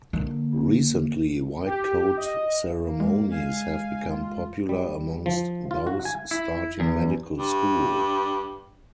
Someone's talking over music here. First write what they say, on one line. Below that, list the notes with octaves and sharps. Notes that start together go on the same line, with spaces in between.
Recently, white coat ceremonies have become popular amongst those starting medical school.
D3 A#3
G4
D#5
A#3
G#3
F5 G#5
F4
G3
F3
F4
F#4
G#5
E4
E2
G2